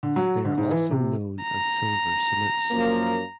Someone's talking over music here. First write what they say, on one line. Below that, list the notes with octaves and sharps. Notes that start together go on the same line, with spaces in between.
They are also known as silver salutes.
D3
F#3
D3
G#2
E3
C3
A#5
F#2 F3 A#3